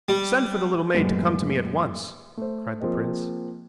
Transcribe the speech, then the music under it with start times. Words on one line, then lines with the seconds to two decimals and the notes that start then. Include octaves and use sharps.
"Send for the little maid to come to me at once," cried the prince.
0.09 G3
0.94 F#2 A2 G3 G#3 A#3 B3
2.37 A3 C5
2.80 F3 A#3 C4 G#4 D#5